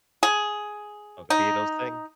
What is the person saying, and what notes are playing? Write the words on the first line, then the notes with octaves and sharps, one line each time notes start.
Oh, the Beatles thing?
G#4
D#4